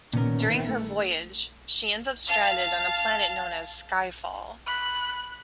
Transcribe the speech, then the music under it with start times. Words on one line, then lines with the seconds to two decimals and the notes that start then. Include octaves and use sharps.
During her voyage, she ends up stranded on a planet known as Skyfall.
0.13 A#2 D#3 B3 C#4 A#4
0.49 D#3 A#3 B3 E4
0.68 A3
2.27 F5 A5
4.67 B5 F#6